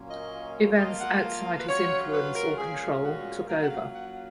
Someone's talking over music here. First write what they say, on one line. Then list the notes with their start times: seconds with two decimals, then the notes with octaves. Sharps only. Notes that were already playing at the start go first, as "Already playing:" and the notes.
Events outside his influence or control took over.
Already playing: A#2 F#3 A#3 C#4 F4
0.11 D#5
0.79 F3 A#3 F4 D#5
1.01 F#5
1.24 F5
1.59 B4
1.68 F#3 C#4 F4 C#5
2.14 B4
2.36 A#4
2.58 A#2 G#3 C#4 F4 G#4
3.03 F#4
3.48 F#3 A#3 C#4 F4 A#4
3.63 F#5
3.71 F5
3.93 F#5